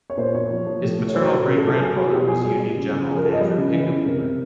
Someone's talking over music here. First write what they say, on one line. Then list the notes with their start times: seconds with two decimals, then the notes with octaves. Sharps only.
His paternal great-grandfather was Union general Andrew Hickenlooper.
0.10 C#5
0.17 A#2 C5
0.35 A#2 C#5
0.50 F3
0.66 F3
0.83 A2
0.99 A2
1.08 C#5
1.15 F#3 C5
1.32 F#3
1.47 C#3 A#4
1.58 A4
1.63 C#3
1.68 A4
1.80 F#3 G#4
1.96 F#3
2.12 B2 G4
2.28 B2 G#4
2.45 G3
2.60 G3
2.77 C#3
2.93 C#3
3.09 F3 G#4
3.17 A#4
3.25 F3 A4
3.33 D#5
3.41 G3
3.58 C#3
3.74 E3
3.90 C#3
4.06 C3 A#4
4.22 C3